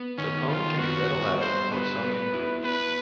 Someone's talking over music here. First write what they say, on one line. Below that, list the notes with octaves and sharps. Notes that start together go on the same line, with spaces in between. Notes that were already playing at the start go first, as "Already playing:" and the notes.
The poem can be read aloud or sung in groups.
Already playing: B3
D#3 C#4
D#3 F4
B3 F#4
G2
G3 C5
B3 B4
B3
E4
B3 B4